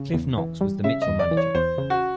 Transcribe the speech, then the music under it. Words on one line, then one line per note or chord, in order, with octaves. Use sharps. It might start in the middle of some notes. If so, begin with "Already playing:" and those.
Cliff Knox was the Mitchell manager.
Already playing: C#3
E2
E3
G3
C#3 E5
D#5
E2
D5
E3
C#5
E2 C5
C#3
F#4